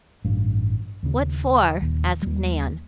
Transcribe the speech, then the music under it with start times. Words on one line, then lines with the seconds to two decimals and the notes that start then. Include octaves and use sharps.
"What for?" asked Nan.
0.24 A1 G2
1.03 D#2 C#3
1.82 D#1 D#2
2.22 D#2 G3